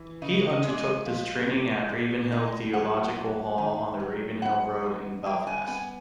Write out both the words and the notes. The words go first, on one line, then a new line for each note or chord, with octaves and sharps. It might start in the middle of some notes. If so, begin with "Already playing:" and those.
He undertook this training at Ravenhill Theological Hall, on the Ravenhill Road in Belfast.
Already playing: E3
C#3 D#5
D#5
G#3
D5
D#5
F3
A2
A2 D5
A2 D#5
F#3 F#5
G#2
D#3
F#3
B3 F#5
G#2
G3 G5
G#5
B3 G#5